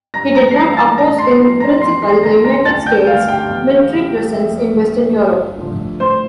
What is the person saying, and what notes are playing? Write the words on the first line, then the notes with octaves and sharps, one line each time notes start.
He did not oppose, in principle, the United States' military presence in Western Europe.
G2 A#5 A#6
A#5 A#6
C7
E3 A3 A#5 A#6
A5 A6
A2 A#5 A#6
C6 C7
F3 A3 C6 C7
A#5 A#6
E2 C6 C7
C6 C7
D3 G3 A#5 A#6
A#5 A#6
D2 A5 A6
G5 G6
D3 A3 F5 F6
G4 G5
E2
C3 E3 G3
F2 E5
D3 G3
G2
D3 F3 A3
A2 C5 C6